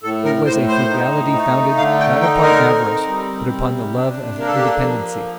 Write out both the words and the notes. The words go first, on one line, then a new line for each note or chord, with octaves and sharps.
It was a frugality founded not upon avarice, but upon the love of independency.
A2 A4
A#4
A2 C5
C5
D#4
A3
D3 F5
G5
D#4 G5
A#4
C4
G3
C3
D4
A#3 A#4
A4
G4
A4
F3